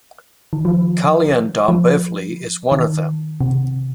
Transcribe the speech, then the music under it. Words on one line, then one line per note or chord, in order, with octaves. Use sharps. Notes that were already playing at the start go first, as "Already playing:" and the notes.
Kalyan-Dombivli is the one of them.
D#3
F3
F3
D#3
C3